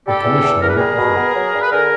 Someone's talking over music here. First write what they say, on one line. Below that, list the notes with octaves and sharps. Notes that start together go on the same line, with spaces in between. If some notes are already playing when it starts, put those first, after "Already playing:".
The Commissioner looked at her.
G3 G4 A4
E2
E2
E2 A#4
B4
G3 G#4 A#4
B2
B3
F#3
G2
B4
D3 G#4 A#4